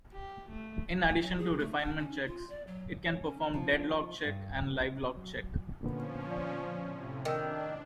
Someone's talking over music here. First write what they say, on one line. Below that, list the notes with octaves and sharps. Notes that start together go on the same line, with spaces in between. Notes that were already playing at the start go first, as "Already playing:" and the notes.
In addition to refinement checks, It can perform deadlock check and livelock check.
G4
A3
A3
F#3
G#4
A3
D4
C#4
F4
D5
F#3
C#5
C#4
F3
G2
F#3
A#2 D3 F3 B3 C#4
D5
A2 C3
D#3 D4 D5 G5 E6